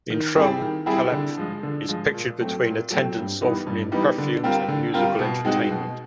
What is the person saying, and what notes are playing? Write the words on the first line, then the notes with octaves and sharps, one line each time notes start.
The enthroned caliph is pictured between attendants offering him perfumes and musical entertainment.
D#3
G3 C4 E4 G#4
D#3
G3 C4 E4 G#4
D3
F3 G#3
D3
F3 G#3
A#2
F#3 A3 C4
A#2
F#3 A3 C4
G2
E3 G3 B3 D#4
G2
E3 G3 B3 D#4
D3
G3 C4 F4 A#4
D3
G3 C4 F4 A#4
B2
G#3 C4 D#4 F#4
B2